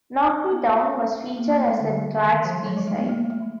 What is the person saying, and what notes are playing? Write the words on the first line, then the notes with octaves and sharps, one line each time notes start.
"Knock Me Down" was featured as the track's b-side.
B3
A#3
A#3
A3
G#3
D3
D#3
F3
F#3
G#3
A3
B3
A#3
A3